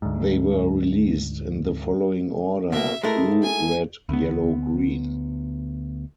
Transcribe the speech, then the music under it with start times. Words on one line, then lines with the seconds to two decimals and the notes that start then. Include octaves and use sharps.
They were released in the following order: Blue, Red, Yellow, Green.
0.02 D2 G#2
2.72 B2 A#3 E5
3.03 G#3 A3 E4 A#4
3.42 G#5
4.09 D2 B3